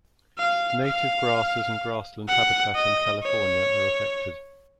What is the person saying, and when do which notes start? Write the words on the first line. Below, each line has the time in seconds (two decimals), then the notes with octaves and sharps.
Native grasses and grassland habitat in California are affected.
0.38 F5
0.85 F5
2.28 F#5
2.75 D#5
3.23 C#5